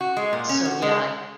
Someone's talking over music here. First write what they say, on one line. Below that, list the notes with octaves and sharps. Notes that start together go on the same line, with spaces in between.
So, yeah I
F#4
G#3
A#2
C#4
F#4
G#3